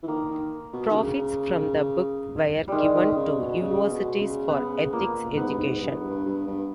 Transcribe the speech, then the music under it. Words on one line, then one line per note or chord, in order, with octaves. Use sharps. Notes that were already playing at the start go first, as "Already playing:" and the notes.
Profits from the book were given to universities for ethics education.
E3
D#3 A#3
D#3
B2
D#3
C#3
D#3 G3 G#3
D#3
C#3
B2
C#3
B2
C#3
C#3 B3
A#2 A#3
G#2 B3
G2
G#2
G2
E2
G2
G2
G2